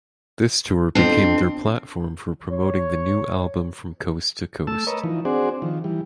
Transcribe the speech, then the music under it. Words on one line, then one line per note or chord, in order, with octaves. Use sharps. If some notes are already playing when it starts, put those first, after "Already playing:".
This tour became their platform for promoting the new album from coast to coast.
F2 C4 D4
C#5
A3 A5 E6
A#4 B4 C#5 D#5
E3 F3 D#4
C4 D4 F#4 G#4 C5 D5
D#3 F3
E3 G3